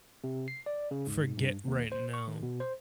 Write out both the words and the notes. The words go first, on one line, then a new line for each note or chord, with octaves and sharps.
forget right now.
C3
C7
D5
C#3
G#2
G2
D#2
C5
C#6
D#3
B2
C5